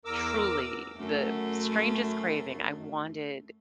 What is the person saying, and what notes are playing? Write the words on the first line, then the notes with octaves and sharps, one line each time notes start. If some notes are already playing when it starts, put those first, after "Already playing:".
truly the strangest craving, I wanted
E2 A#4 D6 E6
F#2 A3